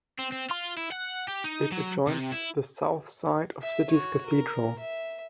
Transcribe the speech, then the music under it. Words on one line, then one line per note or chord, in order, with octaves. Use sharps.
It adjoins the south side of city's cathedral.
C4
C4
F4
E4
F#5
G4
D#4
F#3
C3
E4
E5
F#4 C#5
A#4
E5